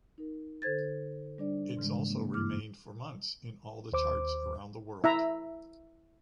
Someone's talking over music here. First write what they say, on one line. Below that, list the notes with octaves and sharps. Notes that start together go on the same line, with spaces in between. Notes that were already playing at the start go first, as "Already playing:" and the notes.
It’s also remained for months in all the charts around the world.
D#4 A#4
D3 A4 C5 G#6 A6
G3 D4 D5
G#2 C#3 E3 G#3
A#3
G2 E3 A#3 E4 D6 F6
D#2 C5 D6
E4 E5 A#5